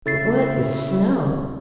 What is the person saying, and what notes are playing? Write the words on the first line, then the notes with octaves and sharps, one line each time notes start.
"What is snow?"
C#3 E4 A4 A6 C7